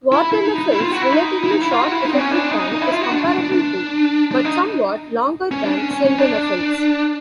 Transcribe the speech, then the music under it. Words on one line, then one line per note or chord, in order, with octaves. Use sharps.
Vardenafil's relatively short effective time is comparable to but somewhat longer than sildenafil's.
E4
E4
D#4
D#4
E4
F4
F#4
E4
D#4
E4
D#4
E4
F4
F#4
E4
D#4
C4
C#4
D4
D#4
D#4
E4
F4
F#4
D4
D4
D4
D4
D4
D#4
C#4
D4
C#4
C#4
C#4
D4